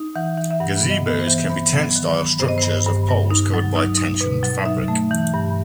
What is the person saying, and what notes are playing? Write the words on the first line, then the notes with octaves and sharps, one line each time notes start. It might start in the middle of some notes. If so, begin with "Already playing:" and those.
Gazebos can be tent-style structures of poles covered by tensioned fabric.
Already playing: D#4
E3 F#5
E3
E5
G2 F#5
B3
D#5
B3
C5
E3
B3
F#3
D#3
B3
G2 C5
D#5
G2 C5
G2
G2
D#4
F#3
D#4
D#4
B2 B4
F#3
D#4 E5
A3
E3
G2